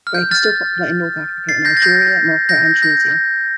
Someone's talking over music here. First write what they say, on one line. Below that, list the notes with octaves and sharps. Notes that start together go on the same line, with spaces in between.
The grape is still popular in North Africa in Algeria, Morocco and Tunisia.
F6
G6
F6 A6
A6 C7
G6 A#6
A6
G6 A#6
G6 A#6
G6 A#6